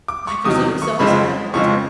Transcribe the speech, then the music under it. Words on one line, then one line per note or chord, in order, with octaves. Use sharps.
"I presume so," smiled Walter.
D6
C#6
E2 C3 D#3 F#3 D#6
C#6
F2 C#3 F3 G#3 C4 B5
F2 C#3 F3 G#3 C4 C#6